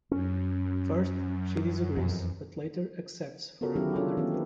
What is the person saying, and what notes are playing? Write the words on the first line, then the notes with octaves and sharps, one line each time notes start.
First she disagrees but later accepts for her mother.
F#2 C#4
F2 E3
B3 F4 F#4 A4 A#4
D#3 F#3 C#4 E4 G4 G#4
D4 F4 A4 C#5
D#3 E3 A#3 C4 D#4 G4
E4 B4